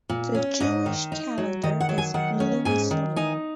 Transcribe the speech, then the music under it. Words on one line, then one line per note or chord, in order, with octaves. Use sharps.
The Jewish calendar is lunisolar.
A#2
C#4
G#2 D#5
D#3
D#4
F#3
D#3 D#5
F#5
F#3
G#5
D#3 F#5
C#4
G#2 G#5
D#3
D#4 G#5